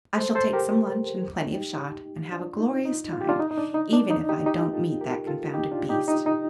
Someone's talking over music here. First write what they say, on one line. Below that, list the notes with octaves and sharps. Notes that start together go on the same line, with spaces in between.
I shall take some lunch and plenty of shot, and have a glorious time, even if I don't meet that confounded beast.
A4 C5
A4 C5
G4 A#4
D#4 G4
D4 F4
D#4
D#4
F4
G4
D4 F4
D#4
D#4
D4
D#4
D4
D#4
D#4 G4
D#4 G4
F4 A4
G4 A#4
F4 A4
D#4 G4
D4 F4
D#4 G4
D#4
D#4